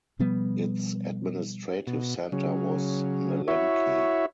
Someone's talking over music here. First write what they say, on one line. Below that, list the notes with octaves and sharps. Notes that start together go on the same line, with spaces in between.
Its administrative centre was Melenki.
B2 F3 G3 B3
B2
C#3 F#3
E4 F#4 C#5 E5